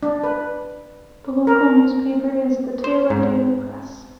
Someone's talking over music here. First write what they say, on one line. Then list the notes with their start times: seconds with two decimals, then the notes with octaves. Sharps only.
The local newspaper is the "Taylor Daily Press".
0.03 D4
0.24 B4
1.47 A#4
2.84 C5
3.10 G#2